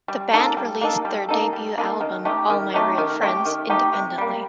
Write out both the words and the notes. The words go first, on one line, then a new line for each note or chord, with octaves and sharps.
The band released their debut album "All My Real Friends" independently.
G3
A#3 D#4 A4
G3
A#3 D#4 A4
G3
A#3 D#4 A4
G3
A#3 D#4 A4
D#3
A3 D#4 G4
D#3
A3 D#4 G4
D#3
A3 D#4 G4
D#3
A3 D#4 G4
C3
G3 A#3